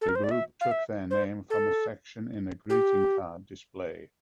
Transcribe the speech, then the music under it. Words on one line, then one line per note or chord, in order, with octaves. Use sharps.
The group took their name from a section in a greeting card display.
A4
A#4
C5
D5
E5
F5
E5
C5
A4
G4